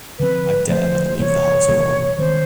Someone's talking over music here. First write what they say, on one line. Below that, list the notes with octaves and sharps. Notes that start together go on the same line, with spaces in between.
I dare not leave the house alone.
D3 F3 A3 C4 B4
D3 F3 A3 C4 C5
C3 E3 G3 A#3 C#5
C3 E3 G3 A#3
D#3 G#3 C4 C5